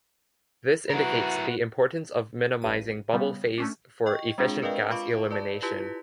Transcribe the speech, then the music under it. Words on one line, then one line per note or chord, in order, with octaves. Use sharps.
This indicates the importance of minimizing bubble phase for efficient gas elimination.
E4 F#4 A#4 B4
A1 G2 D#7
C#3 G3 B3
A3 C#4 D4
D#5 G5 C#6
G#3 C4 D4 F4 G#4
A#4 B4 D5 D#5 F5 G5
F4 F5 B5 C#6 D6 D7
B4 D5 A5
E4 F4 G4 B4 B6